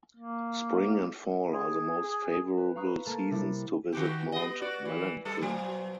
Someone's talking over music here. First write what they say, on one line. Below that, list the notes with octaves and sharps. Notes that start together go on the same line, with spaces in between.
Spring and fall are the most favorable seasons to visit Mount Mellenthin.
A#3
G#4
B4
F5 A#5 B5 C#6 D#6 F#6
A#3 A4 F6
C3 F3 G3 A#3 E4
D#3 F#4 G4
B3 D#5
F#4 D5
E3
G3 A4
B2 F3 F#3